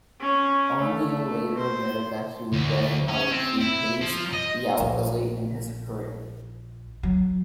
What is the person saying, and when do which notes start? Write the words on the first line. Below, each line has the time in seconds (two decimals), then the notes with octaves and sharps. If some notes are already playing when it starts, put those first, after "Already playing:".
O'Neal later admitted that he regretted how he hazed Yao early in his career.
0.20 C#4
0.82 A3
1.58 C5
2.53 D2
3.08 C#4
3.31 C4
3.61 E4
4.01 F3
4.33 D#5
4.80 A#1
7.03 F#3